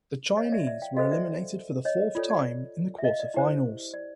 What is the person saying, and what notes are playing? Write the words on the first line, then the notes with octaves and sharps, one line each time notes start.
The Chinese were eliminated for the fourth time in the quarterfinals.
C#5 D#5
F5
D5 E5
D5 E5
F5 G5
F#4 A4 C5 D#5 F5
D5 E5
C#5 D#5
F4 A4 C#5 D5
D5
E5
D#5 F5
D5
E4 G4 C5
D5